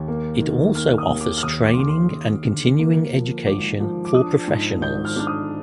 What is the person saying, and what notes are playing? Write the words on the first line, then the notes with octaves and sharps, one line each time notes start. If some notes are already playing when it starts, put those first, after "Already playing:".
It also offers training and continuing education for professionals.
Already playing: D#2
A#3
D#3
A#3 F6
D#6
D#2
D6
F6
D#2 D#6
D6
C6
D#2 D6
C6
D#2
D3
A#3
F3
G#1 D6
F3
D6
D4 D#6
G#2
G#1 G6
F6
D4 F6
D#6